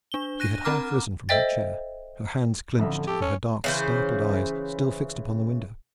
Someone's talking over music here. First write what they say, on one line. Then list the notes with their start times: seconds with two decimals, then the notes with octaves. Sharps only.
She had half-risen from her chair, her hands clenched and her dark, startled eyes still fixed upon the window.
0.12 D4 G7
0.40 F#6 A#6 D#7
0.65 C4 A#4 A#5 D6 F6
1.29 A4 C5 D#5 E5 G5 A6
2.78 A1 F2 D3 E5
3.07 G4 A4
3.22 C#4
3.64 C#3 E3 C5